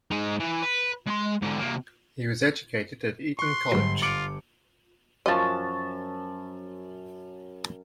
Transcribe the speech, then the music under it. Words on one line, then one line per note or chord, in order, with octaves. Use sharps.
He was educated at Eton College.
G#3 D#4
E3
B4
G#3 C6
G#2 D3
C3 A#3
C6 C#6 F#6 C#7
G1 G#2 F#3
F4 D6 C#7 D7
F#2 F3 D#5 A5